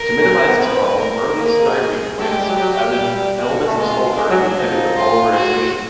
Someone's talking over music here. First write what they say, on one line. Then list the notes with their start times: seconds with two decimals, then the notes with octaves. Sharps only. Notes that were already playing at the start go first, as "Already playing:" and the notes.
To minimize this problem, early styrene plants added elemental sulfur to inhibit the polymerization.
Already playing: A#4
0.21 C#4
0.34 C4
0.47 B3
0.60 C4 B4
1.00 A#4
1.39 A#3 G#4
2.19 A3 G4
2.29 G#3
2.38 G3
2.48 F#3
2.58 F#3
2.97 G3
3.38 F#4
3.67 A3
3.77 G#3 F4
4.17 G#3 D4
4.30 F#3
4.42 F#3
4.56 F3 D#4
4.96 F4
5.35 F#4